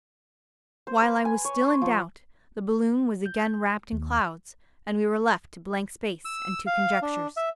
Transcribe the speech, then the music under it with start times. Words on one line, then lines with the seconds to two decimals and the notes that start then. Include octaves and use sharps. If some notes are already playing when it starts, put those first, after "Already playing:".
While I was still in doubt, the balloon was again wrapped in clouds, and we were left to blank space and to conjectures.
0.87 C5
1.02 B4
1.25 G#5
1.45 C#5
1.62 C6
1.82 F3
3.26 G6
3.92 D#2
6.25 E6
6.66 F5
7.02 D4
7.37 E5